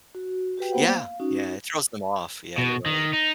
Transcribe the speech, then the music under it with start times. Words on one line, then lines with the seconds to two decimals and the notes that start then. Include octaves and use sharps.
Yeah, yeah. It throws them off. Yeah, you're right.
0.15 F#4
0.58 F#4 G4 B4 G5
0.72 A#3 B3 C5 F#5
0.94 F5
1.20 C#4 D#4 F#4
2.58 B2
2.86 D#3
3.13 D#4